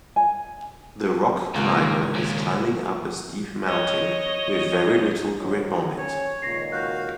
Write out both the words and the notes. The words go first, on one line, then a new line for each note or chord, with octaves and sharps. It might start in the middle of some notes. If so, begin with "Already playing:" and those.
The rock climber is climbing up a steep mountain with very little grip on it.
G#5
G#1 C#2 A#2
D#2 A#2
C#5 D#5
D#3 F3 F#3
C#4 C#5
C#2 A#2 D#3 C#6 A#6 C7
F#4 F5 F#6 G6